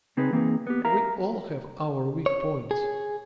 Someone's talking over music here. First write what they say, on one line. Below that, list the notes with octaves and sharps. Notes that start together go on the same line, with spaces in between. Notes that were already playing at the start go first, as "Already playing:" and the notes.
We all have our weak points.
C#3 C4 D#4 G#4 B4
E3 A#3 C4 D#4 G#4
B3 G4
A#4 E5 F5 A#5
C#5
G#4